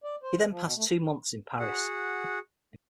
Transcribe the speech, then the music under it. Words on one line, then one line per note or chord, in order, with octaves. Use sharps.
He then passed two months in Paris.
D5
C5
E3
F3
B2
A3
F#4 G#4 F#5